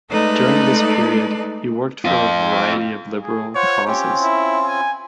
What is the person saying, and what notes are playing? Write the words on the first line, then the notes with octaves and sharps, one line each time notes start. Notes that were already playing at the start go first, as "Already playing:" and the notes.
During this period, he worked for a variety of liberal causes.
G#3 A3 D#4 A4 B4 D5
C4 F4
G#4
F4 C5 C#5 F#5
C4 C#4 F4 G4
E4
G#5